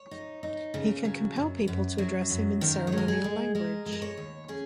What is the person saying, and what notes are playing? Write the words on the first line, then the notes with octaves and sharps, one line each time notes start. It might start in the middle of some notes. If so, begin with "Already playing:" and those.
He can compel people to address him in ceremonial language.
Already playing: C#5
D#4
D#4
C#3
F#3
F#2
F#2
F#3
F#2
D#3 A#4
C#5
G#3
A#4
G#4
G#3
G#3 A#4
G#3
A#4
C#5
D#2
C#4 G#4